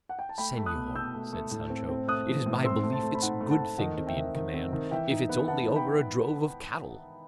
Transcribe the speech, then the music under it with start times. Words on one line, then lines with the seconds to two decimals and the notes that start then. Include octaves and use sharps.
"Senor," said Sancho, "it is my belief it's a good thing to be in command, if it's only over a drove of cattle."
0.09 F#5
0.19 G5
0.29 A5
0.38 A3 G5 B5
0.57 A3
0.66 D#6 F#6
0.75 B2
0.95 B2 E6 G6
1.14 A3
1.33 A3
1.51 A2
1.70 C4
1.89 C4
2.08 A3 D#6 F#6
2.28 E3
2.46 A2
2.64 C4 C6 E6
2.83 A3
2.93 A5 C6
3.03 A3
3.15 B5
3.22 D#4 F#5 A5
3.41 A3
3.50 F#5 A5
3.59 A3
3.78 D#3 D#5 F#5
3.98 C4
4.07 E5 G5
4.17 D#3
4.35 D#3
4.53 C4
4.73 D#3
4.91 E3 E5 G5
5.11 D#4
5.29 B3
5.48 B3 F#5 A5
5.68 D#4
5.76 G5 B5